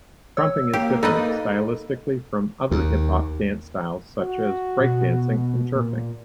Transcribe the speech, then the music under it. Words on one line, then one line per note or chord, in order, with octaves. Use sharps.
Krumping is different stylistically from other hip-hop dance styles such as Breakdancing and turfing.
C#5 E6
A#3 G4
D#4 A4 B4 D#5
D#2
F#4
B2
A#2